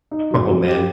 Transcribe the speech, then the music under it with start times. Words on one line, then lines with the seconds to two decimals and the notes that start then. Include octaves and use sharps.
Oh, man.
0.11 D#4
0.31 F#3
0.49 F#3
0.68 G4